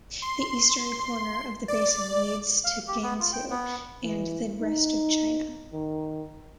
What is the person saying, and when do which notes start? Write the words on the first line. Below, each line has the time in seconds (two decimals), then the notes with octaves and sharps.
The eastern corner of the basin leads to Gansu and the rest of China.
0.22 C6
1.68 D5
2.64 F5
2.88 G4
3.03 B3
3.20 F4
3.33 G5
3.50 B3
4.03 E3
4.60 D#4
5.73 D#3